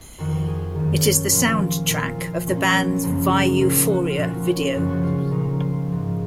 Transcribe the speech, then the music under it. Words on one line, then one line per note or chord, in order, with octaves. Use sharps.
It is the soundtrack of the band's "Vieuphoria" video.
F2 D#3 F#4
G#4
F#2 D#3
A#2 F3 F4
A#2 F3 F4
F4
A#2 F3 C#4
B3
F#2 C#3 F3 A#3
D#4
A#2 F3 F4
F#4
F4
A#2 F3 F#4
C#4
F#2 C#3 F3 F#4
F#4
F4
F4
A#2 F3 D#4
F4
G#2 F3